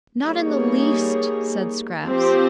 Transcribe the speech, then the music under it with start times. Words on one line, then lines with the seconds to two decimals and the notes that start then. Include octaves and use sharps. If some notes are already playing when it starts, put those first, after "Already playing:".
"Not in the least," said Scraps.
0.24 G3 A#3 D#4 G#4 C#5
2.05 F3 C4 G4 C5